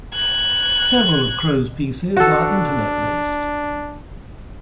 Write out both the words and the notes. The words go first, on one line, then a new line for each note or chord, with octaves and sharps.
Several of Crowe's pieces are internet-based.
F#6 G#6
D4 F#4 A4